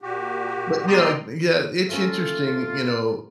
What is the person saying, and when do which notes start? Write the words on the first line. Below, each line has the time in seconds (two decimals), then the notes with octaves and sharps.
But, you know, yeah, it's interesting, y you know,
0.02 A#2 F#4 G4
0.87 B2 D5 G5 A#5 C6 D#6
1.89 A3 A#3 C#4 F4